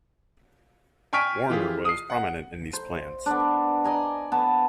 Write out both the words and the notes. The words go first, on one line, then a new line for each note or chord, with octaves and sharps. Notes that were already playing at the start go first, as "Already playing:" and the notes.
Warner was prominent in these plans.
G5 G#5 C#6 F6 B6 D7
E3 F4 G4 G#4
D#6 C7
F#5
C5
B3 D4
D5 D#5 G#5 A#5
B3 A5